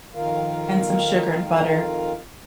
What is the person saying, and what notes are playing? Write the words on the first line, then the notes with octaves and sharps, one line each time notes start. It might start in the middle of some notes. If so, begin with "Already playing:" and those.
and some sugar and butter,
F2 D#3 F4 A#4 F5